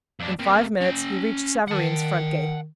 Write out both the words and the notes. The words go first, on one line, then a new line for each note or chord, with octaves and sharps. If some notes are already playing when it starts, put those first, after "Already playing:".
In five minutes he reached Savareen's front gate.
F2 D4
C3 A#3
C#4 G5
D#3 F#5 A5